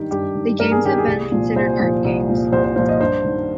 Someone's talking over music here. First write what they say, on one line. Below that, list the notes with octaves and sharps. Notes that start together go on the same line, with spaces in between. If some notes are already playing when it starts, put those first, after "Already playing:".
The games have been considered art games.
Already playing: G2 D#3 G4
G2 G4
D#3
G2 A#4
G#4
D#3 G4
G#4
C2
A#2 F3
C2 C5
A#2 F3
C2
A#2 F3
C2 C5
C5
A#2 F3 C5
D#5
G2 C5
D#3